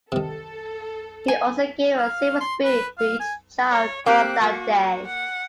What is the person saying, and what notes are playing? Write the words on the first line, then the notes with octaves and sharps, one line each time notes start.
He also gave a silver spoon to each child born on that day.
C3 D#3 A4
G#5
F5
C6
B4
F5
G#5
C#5
A#3 C4 G4 F#6
A#3 F#4
F#5